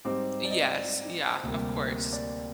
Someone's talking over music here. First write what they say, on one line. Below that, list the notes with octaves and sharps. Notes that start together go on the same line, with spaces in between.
Yes. Yeah, of course.
G#2 G3 C4 D#4 D6
D5
D#5
D5
D2 C3 G3 A#3
D5